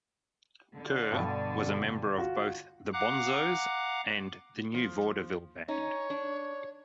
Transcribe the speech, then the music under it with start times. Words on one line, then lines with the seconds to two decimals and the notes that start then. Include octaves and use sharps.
Kerr was a member of both the Bonzos and the New Vaudeville Band.
0.75 D3
1.12 G2 B2
2.18 F4 F#4
2.93 F5 F#5 A#5 D6 F#6
4.74 F3
5.68 C#4 D#4 C#5
6.10 D4